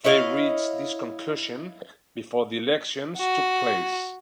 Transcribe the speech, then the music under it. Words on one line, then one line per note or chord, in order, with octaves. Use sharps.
They reached this conclusion before the elections took place.
E4 C#5 D#5 F5
F#4